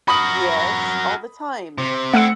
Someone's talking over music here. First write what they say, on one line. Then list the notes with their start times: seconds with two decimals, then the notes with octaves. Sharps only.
Yes, all the time.
0.08 F#4 A#4 B5 D#6 F#7
1.78 C3
2.13 A3 C4 E4 F#5 E6 C#7